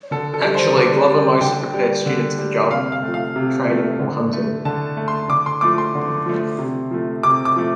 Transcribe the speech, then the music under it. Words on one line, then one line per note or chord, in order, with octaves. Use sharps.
Actually, Glover mostly prepared students for job training or hunting.
D3 A4
A4
G3
C5
D3 D5
G3
D3 G5
G3
D3
G3
C3 F5
F5
A3
F3
F5
C3
F3 A3
D3
A3
D3 A5
A3
C6
D3 D6
C6
F3 A3 D6
C6
D3
F3 A3
C3
F3 A3
C3 D6
D6
F3 A3